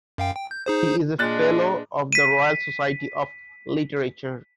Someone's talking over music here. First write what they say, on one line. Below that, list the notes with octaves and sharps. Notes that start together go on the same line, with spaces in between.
He is a Fellow of the Royal Society of Literature.
F#2 F5 G5
G5
G6
D#4 G#4 C5
A#2 G#3 D4 F#6 A6
B6 D#7